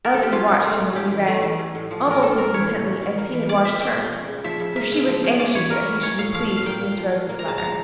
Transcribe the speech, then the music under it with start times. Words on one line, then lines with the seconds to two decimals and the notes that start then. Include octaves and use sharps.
Elsie watched him while he read, almost as intently as he had watched her; for she was anxious that he should be pleased with Miss Rose's letter.
0.05 A#4
0.14 A4
0.23 G4
0.32 C#4 F4
0.48 A#2
0.64 A3
0.80 A#2
0.95 C#4 G4
1.11 E3
1.27 A3
1.42 E3
1.59 C#4
1.75 A2
1.91 F3
2.07 A2 A#4
2.22 A#3 A4
2.38 A2 A#4
2.54 E3 C#5
2.70 A2
2.86 C#4
3.02 E3
3.18 A#3
3.33 E3
3.49 C#4 D5
3.64 A#2 E5
3.81 A3 G5
3.96 A#2
4.12 C#4
4.28 C#3
4.44 F3 E5
4.60 C#3
4.76 A#3 E5
4.91 C#3
5.07 F3
5.24 C#4
5.39 C#4 D5
5.55 E3 C#5
5.70 G3 A#4
5.87 E3
6.02 C#4 C#5
6.18 A2 F5
6.34 F3 F5
6.50 A2
6.57 F5
6.65 A#3 G5
6.81 A#2
6.97 F3
7.13 A#2
7.29 A#3
7.39 A#5
7.45 C#3 A5
7.58 F3 A#5